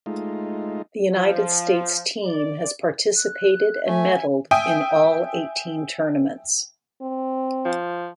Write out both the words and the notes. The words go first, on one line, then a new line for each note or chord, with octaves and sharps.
The United States team has participated and medaled in all eighteen tournaments.
G#3 A3 D#4 F4
F3
D5
F#6
A3 E5 G#5
E5 G5 G#5 D#6
C4
F3